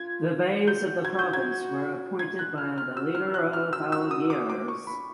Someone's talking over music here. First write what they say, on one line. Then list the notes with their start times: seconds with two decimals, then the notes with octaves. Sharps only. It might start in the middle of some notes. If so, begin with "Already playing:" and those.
The Beys of the province were appointed by the leader of Algiers.
Already playing: F4 G#6
0.67 F#4 G6
1.05 G#6
1.19 G6
1.33 G#6
2.19 G#6
2.39 F#6
2.58 F6
2.78 F6
2.97 F#4 E6
3.15 F6
3.34 F#4 F#6
3.53 F6
3.73 F#4 E6
3.92 E6
4.11 D#6
4.30 D6
4.50 D6
4.68 C#6
4.87 B5